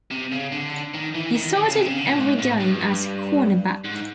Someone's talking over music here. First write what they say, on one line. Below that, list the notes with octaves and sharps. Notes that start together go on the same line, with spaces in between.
He started every game at cornerback.
C3
C#3
D3
D#3
E3
D#3
D3
C#3
C3
C#3
D3
A#2
G#2
A2
G2
G#2